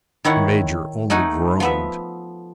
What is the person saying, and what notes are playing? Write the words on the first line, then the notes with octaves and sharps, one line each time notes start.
The Major only groaned.
D#3 E4 C#5 F#5
A3 D#4 F#5 G#5
F3 B3 E5